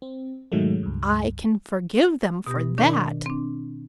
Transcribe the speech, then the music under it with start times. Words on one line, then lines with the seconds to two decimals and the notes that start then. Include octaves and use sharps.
I can forgive them for that.
0.02 C4
0.52 G#2 B2 D#3 F#3 G#3 A3
0.83 C#2 G2
2.47 B2 B3 G4 D#6 G6 A#6
2.78 D#3 D4 A#4 D5 C#6
3.26 C4 D4